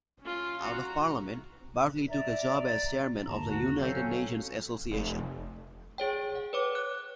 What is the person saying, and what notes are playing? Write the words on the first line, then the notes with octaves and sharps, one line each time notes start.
Out of Parliament, Berkeley took a job as Chairman of the United Nations Association.
C#4 F4
F#4 A#5
D5 E5 A#5
G1 D#2 A5 A#5
F#4
F#3 C4 C#4 A4 F5 G6
F1
G#4 C#5 G5
F#5
B4 C#5 D6
F#6